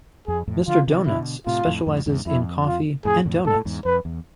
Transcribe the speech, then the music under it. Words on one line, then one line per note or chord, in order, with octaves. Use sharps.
Mister Donuts specializes in coffee and doughnuts.
F2 G#4
F2 A2
D3 F3 F4
C3 E3
B2 D3 E4
A2 C3 F4
F2 A2
F2 A2
E2 G#2
F2 E4
F4
F2 A2 G#4
F2 A2
G#2 A4
A2
E2 G#2
F2 B4
E2